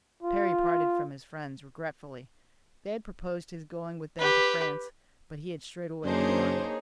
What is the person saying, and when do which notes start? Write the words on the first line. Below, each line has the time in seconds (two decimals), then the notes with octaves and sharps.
Parry parted from his friends regretfully; they had proposed his going with them to France, but he had straightway declined.
0.23 F4
4.19 G4 B4
6.05 F#2 A#3 D4 D#4 G#4 C5 C#5